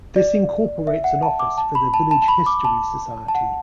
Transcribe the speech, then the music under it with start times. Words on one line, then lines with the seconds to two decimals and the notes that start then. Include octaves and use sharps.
This incorporates an office for the village History Society.
0.16 D5
0.87 E5
1.04 F#5
1.23 A5
1.40 D6
1.58 A5
1.75 B5
1.94 A5
2.11 A5
2.22 A5
2.28 B5
2.46 D6
2.65 A5
3.28 A5
3.35 F#5